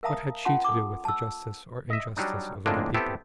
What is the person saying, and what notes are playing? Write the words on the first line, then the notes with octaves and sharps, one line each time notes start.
What had she to do with the justice or injustice of other people?
A#4 E5 F5 A5 A#5 D#6
C#4 F4 F#5 A5 C6
A4 D6
A5 E6
D#5 E5
F#3 G3 D4 D#4
F2 A2 D3 G#3 A#3 D4
B3 C4 E4 G4 A4